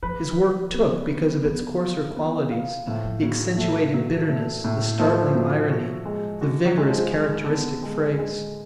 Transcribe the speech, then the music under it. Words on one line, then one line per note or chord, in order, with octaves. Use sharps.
His work "took" because of its coarser qualities, the accentuated bitterness, the startling irony, the vigorous, characteristic phrase.
F3 B4
B4
B3
B3
F#3 B3
F4
B3
F5
A2 F3
F3
C#3 F#3
C#3 A3
F#3
A3
A2
F3 A3
F#3
F#4
G#3
D3 F#4
F#3
G#3
F3
F3 G#3
D3
C#3
D3 B3
G#3
G#3